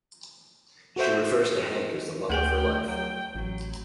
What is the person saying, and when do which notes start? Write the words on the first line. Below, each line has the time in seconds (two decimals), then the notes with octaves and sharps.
She refers to Hank as the love of her life.
0.96 F#4 A4 C5 E5
2.29 D2 A3 G#4 G5 G#5
2.88 F#3 G5
3.35 A1 F#3